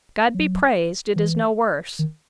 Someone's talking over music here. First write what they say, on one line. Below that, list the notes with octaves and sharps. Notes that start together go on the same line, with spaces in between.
'God be praised it is no worse!
F#3
E3
D#3